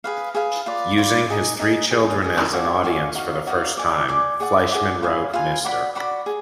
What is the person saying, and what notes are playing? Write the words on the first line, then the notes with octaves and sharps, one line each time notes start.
Using his three children as an audience for the first time, Fleischman wrote Mr.
G#4 B4 F5
G#4 B4 F5
F4 B4 D5
F4 B4 D5
D#4 G#4 D#5
D#4 G#4 D#5
G#4 D#5 G#5
G#4 D#5 G#5
F#4 D5 F5 G#5
F#4 D5 F5 G#5
D#4 F#4 D5 F5
D#4 F#4 D5 F5
D5 G#5 D6
D5 G#5 D6
G#4 D5 F#5 D6
G#4 D5 F#5 D6
F4 B4 F5 G#5
F4 B4 F5 G#5
F#4 D5 F#5 B5
F#4 D5 F#5 B5
G#4